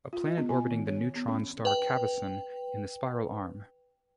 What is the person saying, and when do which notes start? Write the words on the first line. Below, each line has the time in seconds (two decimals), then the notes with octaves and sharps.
A planet orbiting the neutron star Cavesson in the Spiral arm.
0.13 F4
0.25 D#5
0.38 B3
0.49 G#5
0.71 D#3
0.87 C#5
1.16 B3
1.28 C#4
1.65 B4 G5